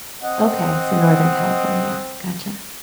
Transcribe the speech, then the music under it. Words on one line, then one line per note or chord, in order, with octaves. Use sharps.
Okay, so, Northern California. Gotcha.
C4 D#5 F#5